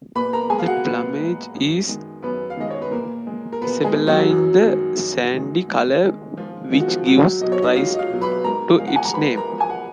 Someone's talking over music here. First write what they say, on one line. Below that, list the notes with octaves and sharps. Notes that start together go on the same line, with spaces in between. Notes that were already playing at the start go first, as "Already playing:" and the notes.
The plumage is isabelline, the sandy colour which gives rise to its name.
A#2 B4 B5
A#4 A#5
G#3 G#4 G#5
F5
F#4 F#5
A#2 B3 B4
G#3
F#2
D#3 G#3
F#2 B3 B4
F5
D#3 G#3 D#5
C#5
B4
A#2 A#3 A#4
G#3
A#4
A#2 B3 B4
G#3 G#4
G#3
F#3 F#4
F#2
D#3 G#3
F#2
D#3 G#3
G#2 D#4
D#3 G#3
G#2 F3 F4
D#3 G#3 F4
F#4
F3 F4
C#2 F#3 F#4
B2 F#3 D#5
C#5
D#4 D#5
C#2 F4 F5
D#5
F4 F5
B2 F#3
B4 B5
G#2 A#4 A#5
F3 G#3 F5
F#5
G#5
A#5
G#2 B4 B5
A#4 A#5
F3 G#3
G#5
F#5